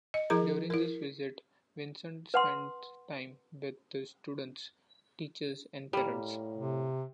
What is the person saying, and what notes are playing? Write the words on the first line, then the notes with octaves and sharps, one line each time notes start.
During this visit, Vincent spent time with the students, teachers, and parents.
D#5
F3 E4 G#4 A#4 A#5
E4 A#4
B4 F#5 C6
A2 G3 A#3 G4
C3